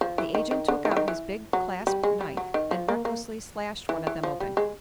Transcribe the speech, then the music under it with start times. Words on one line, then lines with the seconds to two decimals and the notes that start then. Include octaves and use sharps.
The agent took out his big clasp knife and recklessly slashed one of them open.
0.01 F3
0.18 E3
0.35 D#3
0.51 D#3
0.68 D3
0.85 D#3
0.91 E3
0.97 D#3
1.08 E3
1.53 F#3
1.87 G3
2.03 G#3
2.21 G3
2.37 F#3
2.54 D#3
2.71 F3
2.88 A#3
3.05 A#3
3.89 E3
4.07 E3
4.23 F3
4.40 G3
4.57 G#3